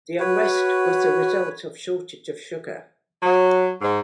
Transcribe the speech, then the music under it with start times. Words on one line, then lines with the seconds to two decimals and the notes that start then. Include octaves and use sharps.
The unrest was the result of shortage of sugar.
0.20 F#4 B4 C#5
3.23 F#3
3.81 G#2